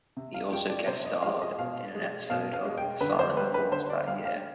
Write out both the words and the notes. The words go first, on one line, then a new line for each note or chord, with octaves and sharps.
He also guest-starred in an episode of "The Silent Force" that year.
C3
F5
F3 G#3 G5
D5
C3 C5
D#5
F3 G#3 F5
D#5
B2 F5
G#3
B2 F5
F5
G#3
G5
D3 B4
C5
G3 B4
B4
D3 C5
D5
G3 F5
F5